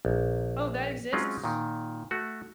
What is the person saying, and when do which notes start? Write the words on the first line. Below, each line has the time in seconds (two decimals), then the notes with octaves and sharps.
Oh, that exists?
0.05 A#1
1.13 F#3 G#3 C4 C#4 F4
1.44 A#2 D#3
2.11 A3 F#4